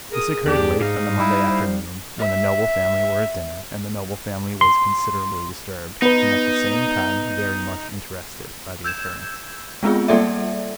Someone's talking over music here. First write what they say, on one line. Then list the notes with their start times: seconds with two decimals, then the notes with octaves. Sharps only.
This occurred late on the Monday afternoon, when the noble family were at dinner, and the noble family was considerably disturbed, and at the same time very much interested, by the occurrence.
0.11 G#4 A#4 D#6
0.46 E2 D4 G4
0.80 G#2 D#4 F5
1.19 G3 E4
1.50 C5
2.20 E5
4.61 C6
6.02 B3 D#4 B4
8.84 E6 G6 G#6 E7
9.83 G#3 B3 C4 F4 G#4
10.08 G3 A#3 A4 D5 E5